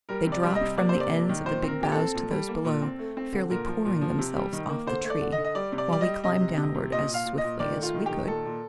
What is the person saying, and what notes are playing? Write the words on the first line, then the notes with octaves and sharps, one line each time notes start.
They dropped from the ends of the big boughs to those below, fairly pouring themselves off the tree, while we climbed downward as swiftly as we could.
G3 A#4
C3
D5
G3
D#5
C3
A#3 D5
C5
C3
D5
A#3
D#3
A#2 C5
C4
A#4
A#2 G4
A4
C4
A#2
G3
A#3
A#2
C4
A3
C4
D3
A#2 A#4
F3
A#2
F3
C3
G3
D#3
A#3
D3 C5
A3
D5
D3
D#5
D3
D#5
G3 D5
C3
D5
G3 D5
G3 D#5
C3 D#5
C3
C3
C3
A#2 D#5
A#2
F5
A#2
D#5
A#2
D#3 D5
A3
F4
D#3
D#3 G4
A#2 A4
A#2